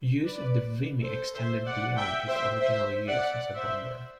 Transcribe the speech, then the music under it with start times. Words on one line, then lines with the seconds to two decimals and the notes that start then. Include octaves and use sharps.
Use of the Vimy extended beyond its original use as a bomber.
0.25 B4 D5
1.03 A4 C5
1.34 C5 E5
1.65 D5 F#5
1.97 E5 G5
2.28 C5 E5
2.60 C5 E5
3.07 D5 F#5
3.55 C5 E5